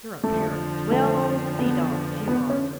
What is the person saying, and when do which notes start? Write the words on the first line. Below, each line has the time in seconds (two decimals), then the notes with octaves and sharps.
You're a pair of swell old sea-dogs, you are.
0.24 F2 D3 F3 A3
0.91 A3
1.59 B3
2.28 B3
2.50 C#4